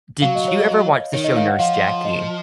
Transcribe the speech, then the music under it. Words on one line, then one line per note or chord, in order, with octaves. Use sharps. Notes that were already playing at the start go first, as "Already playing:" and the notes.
Did you ever watch the show Nurse Jackie?
F#3 F5
D#5
C#5
D#5
D#3 C#5
D#5
F5
F#5
F3 F5
D#5